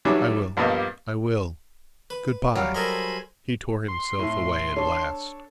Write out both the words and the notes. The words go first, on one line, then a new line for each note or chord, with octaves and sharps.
"I will, I will, good-bye." He tore himself away at last.
D#3 E3 F#3 G3 D4 E4
A#1 G2 G3 A#3 B3 D#5
B4
F#3 G3 F5
A4 A#4 C5 D#5 G#5 B5
C6
A2 E4
D4 A4 C#5